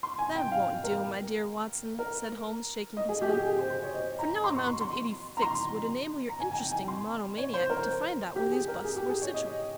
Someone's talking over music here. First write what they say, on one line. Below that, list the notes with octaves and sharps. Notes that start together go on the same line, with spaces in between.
"That won't do, my dear Watson," said Holmes, shaking his head, "for no amount of IDEE FIXE would enable your interesting monomaniac to find out where these busts were situated."
C6
G#5
G5
F5
A#4
A#4
D#5
G#4
G4
G#4
G4
G#4
C5
C5
C#5
D#5
A#5
C6
C#6
C6
C6
A#5
C6
A#5
G#5
G#5
G5
G#5
C6
C#5
C5
A#4
G4
G#4
A#4
G#4
G4
G#4
C#5
D#5